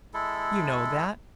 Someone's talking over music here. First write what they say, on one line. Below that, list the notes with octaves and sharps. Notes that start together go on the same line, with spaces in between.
You know that.
G#3 E4 A4